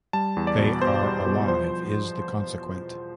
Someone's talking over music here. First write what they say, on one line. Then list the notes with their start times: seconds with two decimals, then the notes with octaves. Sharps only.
"They are alive" is the consequent.
0.13 G3 A5
0.37 E2
0.47 D5
0.58 B2
0.81 B2 C5
1.04 G3
1.26 B2
1.48 F3 C5